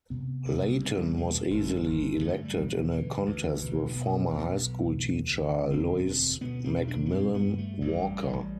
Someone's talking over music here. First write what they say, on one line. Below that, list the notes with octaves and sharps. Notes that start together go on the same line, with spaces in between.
Layton was easily elected in a contest with former high school teacher Lois MacMillan-Walker.
C3 B3
C2
C2
B2
G1
G1
A2 A3
G3
B1
F3
D3 E3
D2
B1 E3
B2 B3
B1
B1
D2
D3
E1 C4
D2
B2 B3
C4
B1
D4
B3
G2 C4
B3
G2
A3
A1 G3
A1